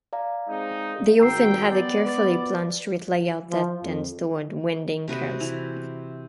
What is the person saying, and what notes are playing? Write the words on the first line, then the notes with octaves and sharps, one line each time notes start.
They often have a carefully planned street layout that tends toward winding curves.
D5 F5 A#5
G#3 C4 D#4
G#1 F#4 G5 A#5 E6 C7
B3 D5
B4 D6 A6
F3
F2
C3 F#4 B4 D#5
E3